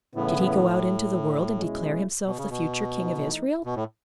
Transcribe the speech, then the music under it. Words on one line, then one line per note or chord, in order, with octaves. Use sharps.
Did he go out into the world and declare himself the future king of Israel?
A2 C#3 E3 B3 E4
B2 G#3 C#4 E4
B2
C#3
B2
E3 A3 D#4
B2
A2